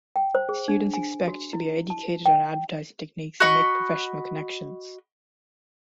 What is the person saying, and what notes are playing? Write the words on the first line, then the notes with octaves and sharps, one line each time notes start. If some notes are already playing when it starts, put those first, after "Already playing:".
Students expect to be educated on advertising techniques and make professional connections.
G5
C5
G#4
D4
G#5
F#4
E4
A5
G5
F#4 D#5 B5 C#6